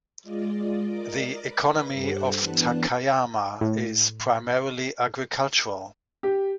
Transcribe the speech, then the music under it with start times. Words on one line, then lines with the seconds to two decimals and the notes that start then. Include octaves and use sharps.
The economy of Takayama is primarily agricultural.
0.23 G#3 F4 D5 D#5
0.84 A#4 D5 D#5 D6
1.44 B4 B5
1.92 G2 G4 A4 C5 F#5
2.39 E3 B3 D4 B4 A5 F#6
3.61 A2
6.23 G4